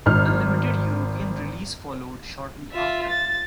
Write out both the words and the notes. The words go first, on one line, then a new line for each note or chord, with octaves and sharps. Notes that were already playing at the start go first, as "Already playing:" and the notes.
A limited European release followed shortly after.
G#1 F6
F4 E5
A6